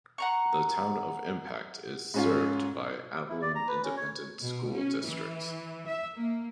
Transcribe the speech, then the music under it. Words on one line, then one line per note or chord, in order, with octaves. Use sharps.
The Town of Impact is served by the Abilene Independent School District.
F#5 A#5 C#6
G#2 C#4 F4
E4
D5
A#5
B4
C#4
C#5
B2
C#4
E3
E5
A#3